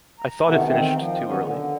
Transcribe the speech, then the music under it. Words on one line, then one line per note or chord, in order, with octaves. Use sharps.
I thought it finished too early.
A#5
C3 D#3 E3 A3 B3
D#3 C4
F3
D#3 F#3 B3 C#4
D3